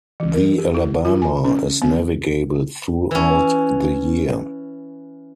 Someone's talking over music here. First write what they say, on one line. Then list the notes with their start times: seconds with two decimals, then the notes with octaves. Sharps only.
The Alabama is navigable throughout the year.
0.20 E3
0.34 A#4
0.58 G4
0.75 E4
1.05 F4
1.22 G#5
1.44 C#4
1.82 B3
3.11 E3 C#4